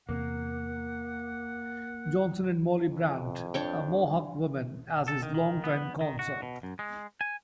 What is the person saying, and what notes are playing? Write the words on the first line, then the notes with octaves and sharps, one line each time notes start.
Johnson had Molly Brant, a Mohawk woman, as his longtime consort.
E2 C3 A#3 F#5
F2
D4 C#5 G5
A4
D#3
D#3
B3
D#3
F#4
B2
F#2
G#3
G#5